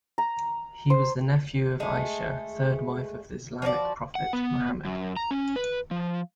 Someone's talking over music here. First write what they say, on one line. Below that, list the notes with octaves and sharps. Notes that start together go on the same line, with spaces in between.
He was the nephew of Aisha, third wife of the Islamic prophet, Muhammad.
A#5
C5
G#3 A3 G#4
F3 F#4 C#5 D5
F#5
B3
F#2
A#5
C#4
B4
F3